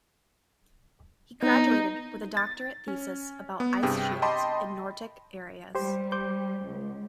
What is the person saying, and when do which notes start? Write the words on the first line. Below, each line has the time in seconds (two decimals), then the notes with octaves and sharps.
He graduated with a doctorate thesis about ice shields in Nordic areas.
1.43 B3 D#4
2.37 A6
2.88 C#4
3.60 B3
3.83 G2 C3 G#4 G5
4.22 D#5 G5 A5 B5 C6 D6
5.75 G3 G4 C5
6.12 C5 D6 G6
6.64 C#2